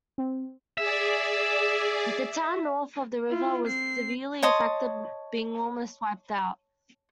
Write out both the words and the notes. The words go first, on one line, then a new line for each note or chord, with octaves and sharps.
The town north of the river was severely affected being almost wiped out.
C4
G#4 D5 E5
E4 F4
C4 C7
C#5 D#5 A5 C6